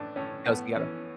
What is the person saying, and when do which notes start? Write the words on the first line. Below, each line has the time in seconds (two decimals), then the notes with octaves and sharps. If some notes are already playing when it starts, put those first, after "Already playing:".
goes together.
Already playing: A2 E3 D4
0.16 A2 C#4
0.46 A2 B3
0.75 E3 C#4